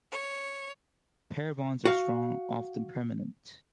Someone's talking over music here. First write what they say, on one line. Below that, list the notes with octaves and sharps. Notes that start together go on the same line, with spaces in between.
Pair bonds are strong, often permanent.
C#5
F#4 F5